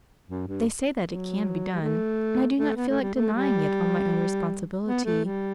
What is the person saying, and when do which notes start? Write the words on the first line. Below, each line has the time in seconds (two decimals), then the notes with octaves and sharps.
They say that it can be done, and I do not feel like denying it on my own responsibility.
0.28 F#2
0.47 G2
1.05 F#3
1.75 G3
1.81 A3
2.57 A3
2.76 B3
2.89 A3
3.01 G3
3.14 A3
3.34 G3
4.86 B3
5.05 A3
5.24 G3